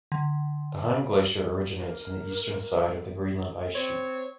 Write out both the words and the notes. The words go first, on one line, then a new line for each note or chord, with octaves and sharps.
The Heim Glacier originates in the Eastern side of the Greenland Ice Sheet.
D3
A#4
C4 C#5